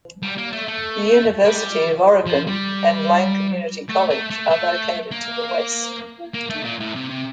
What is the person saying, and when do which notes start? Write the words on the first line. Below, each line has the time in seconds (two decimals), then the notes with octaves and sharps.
The University of Oregon and Lane Community College are located to the west.
0.22 G3
0.38 A#3
0.53 A3
0.68 A3
1.45 G3
2.26 F3
2.47 G3
3.89 A3
4.10 A3
4.30 A3
4.50 A3
5.11 A#3
6.34 A#3
6.50 A3
6.64 A#2
6.80 A2
6.95 C3
7.10 C3